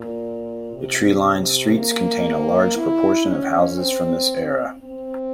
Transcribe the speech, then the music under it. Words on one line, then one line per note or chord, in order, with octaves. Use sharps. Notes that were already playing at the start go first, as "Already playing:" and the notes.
The tree-lined streets contain a large proportion of houses from this era.
Already playing: A#2
C3
A#3
E4
C#4
C4
C4